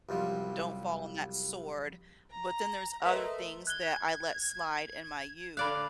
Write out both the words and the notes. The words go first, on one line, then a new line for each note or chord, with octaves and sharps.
don't fall on that sword, but then there's other things that I let slide in my youth
C2 F#2 F3 G3
A#5
A3 A#4 B4 D#5 E5 C6
F#6 G#6 G7
D3 D5 F5 B5 F#6